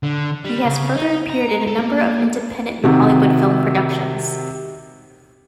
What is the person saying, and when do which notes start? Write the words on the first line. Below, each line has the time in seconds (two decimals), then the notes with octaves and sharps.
He has further appeared in a number of independent and Hollywood film productions.
0.03 D3
0.45 G3
0.65 C#3
0.95 D#4
1.30 A#5
1.67 A4
1.79 A#3
2.84 C3 D#3 F#4